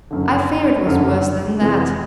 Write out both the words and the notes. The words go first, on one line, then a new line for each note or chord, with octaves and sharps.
I fear it was worse than that.'
F#1 F#2 D3
F#1 F#2 D3
F2 C3 E3